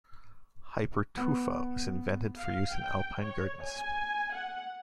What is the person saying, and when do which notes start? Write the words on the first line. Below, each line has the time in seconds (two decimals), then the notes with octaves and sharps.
Hypertufa was invented for use in alpine gardens.
1.17 B3
2.38 F5
2.72 G5
3.21 C#5
3.63 G#5
4.32 F#5